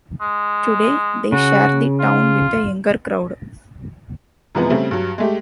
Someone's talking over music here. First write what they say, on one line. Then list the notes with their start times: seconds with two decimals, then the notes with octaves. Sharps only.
Today, they share the town with a younger crowd.
0.21 G#3
1.32 C#3 F#4
2.00 F4
4.55 F#2 C3 E3 F3 G#3 B3
4.70 C#3 G3 A3 C4
4.91 G2 F#3
5.18 G#3 A3 G4